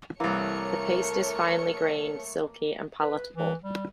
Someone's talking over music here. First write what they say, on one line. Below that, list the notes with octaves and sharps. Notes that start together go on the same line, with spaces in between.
The paste is finely grained, silky and palatable.
C2 E3 A3 A#3 A#4 C#5 C#7
B4
E3
G3